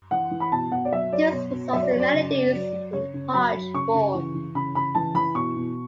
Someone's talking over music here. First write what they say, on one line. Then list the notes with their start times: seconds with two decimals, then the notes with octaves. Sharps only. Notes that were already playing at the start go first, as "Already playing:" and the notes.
This results in melodies in arch form.
0.11 E3 F#5
0.31 E3
0.40 B5
0.52 B2 A5
0.71 B2 F#5
0.85 D5
0.92 F#3 E5
1.12 F#3 D5
1.33 B2 C#5
1.52 B2
1.73 F#3 E5
1.82 D5
1.91 F#3 C#5
2.00 D5
2.13 C#3
2.33 C#3
2.53 F#3
2.73 F#3
2.93 C#3 C#5
3.14 C#3
3.33 F#3 B5
3.55 F#3
3.74 C#3 C#6
3.94 C#3
4.14 E3
4.35 E3
4.55 C#3 B5
4.75 C#3 B5
4.95 E3 A5
5.15 E3 B5
5.35 B2 C#6
5.56 B2